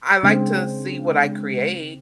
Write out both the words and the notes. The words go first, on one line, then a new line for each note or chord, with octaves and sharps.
I like to see what I create,
C#3 G#3 C4 D4